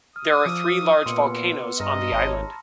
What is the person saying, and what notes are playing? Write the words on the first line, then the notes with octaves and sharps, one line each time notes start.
There are three large volcanoes on the island.
D#6 F6
F3 D6 E6 F6
A#2 B3 C6 C#7
G2 D#5 A#5 F6 A#6
G#1 C#5 A5 B5